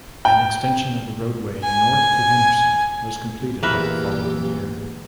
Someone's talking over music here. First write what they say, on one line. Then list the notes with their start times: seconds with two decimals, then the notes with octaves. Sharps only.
An extension of the roadway north to Henderson was completed by the following year.
0.25 G5
1.64 G#5
3.63 A#1 E2 A#2 E3 G4 A#4 B4 E5